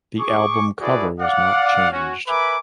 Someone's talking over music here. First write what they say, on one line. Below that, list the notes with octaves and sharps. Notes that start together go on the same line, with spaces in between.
The album cover was not changed.
G#4 C#6 D6
E4 F#4 G#4 A4 B4 D5
D5 F5 F#5
C#4 F#4
A#4 B4 E5 G#5 B5 D6